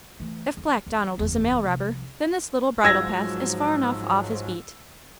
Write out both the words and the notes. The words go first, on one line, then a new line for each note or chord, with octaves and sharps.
"If Black Donald is a mail robber, then this little bridle-path is far enough off his beat."
E3 A3
F2
E2
F#1 E2
C2 F3
G#2 F3 F#3 E6 G#6 A#6